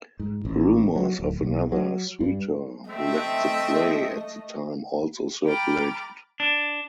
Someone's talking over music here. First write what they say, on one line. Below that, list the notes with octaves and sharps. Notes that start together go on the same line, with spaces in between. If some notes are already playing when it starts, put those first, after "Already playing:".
Rumors of another suitor who left the play at the time also circulated.
G#2
A1
F#3
D1
B1
F#3
G2
A3 C4 D#5 E5
G5 A#5 B5 D6 F6 A6
D4